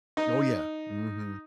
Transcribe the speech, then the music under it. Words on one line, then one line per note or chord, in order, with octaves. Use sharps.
Oh, yeah. Mhm.
D#4